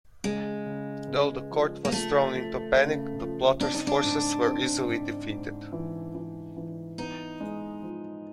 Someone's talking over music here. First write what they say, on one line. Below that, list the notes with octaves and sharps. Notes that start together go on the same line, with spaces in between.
Though the court was thrown into panic, the plotters' forces were easily defeated.
C#3 G#3
C#3
C#2
F3
A#3
F3 A3
F3
C#3
F3
C4 D4
D#4
D4
G#2
C4
G#2
G#2
E3
E3
E3
B3 D#4
G#3
F3